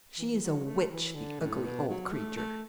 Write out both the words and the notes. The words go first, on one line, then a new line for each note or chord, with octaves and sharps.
She is a witch, the ugly old creature!
E3
E3
F#3
A3
E3
D3
A2
B2
F#3
A3
A3